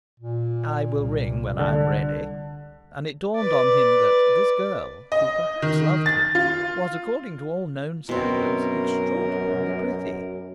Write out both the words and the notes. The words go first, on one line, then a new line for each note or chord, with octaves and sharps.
"I will ring when I am ready." And it dawned on him that this girl, who perhaps loved him, was, according to all known standards, extraordinarily pretty.
A#2
C2
D3
B4 D5
D#5
D#3
A6
F4
F#2 B2 C4 A#4